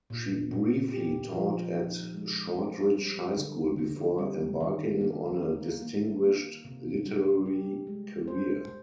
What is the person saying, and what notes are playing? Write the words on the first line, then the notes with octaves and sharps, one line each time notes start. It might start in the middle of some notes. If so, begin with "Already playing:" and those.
She briefly taught at Shortridge High School before embarking on a distinguished literary career.
A#2
A#2
G4
F3
D#4
G#3
C5
G3
D3
D3
G3
D#3
A#3
A#3
A#3
A#3
C3
G3
G4
G#3
C5